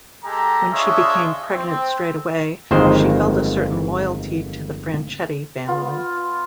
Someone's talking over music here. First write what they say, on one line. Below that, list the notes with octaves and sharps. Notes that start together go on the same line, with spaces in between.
When she became pregnant straightaway, she felt a certain loyalty to the Franchetti Family.
G#3 G4 A4 A#5
D4 F4 G#4 C#5 D#5 E5
C4
G1 F2 D#3 G#3 A#3 C5
B3 F4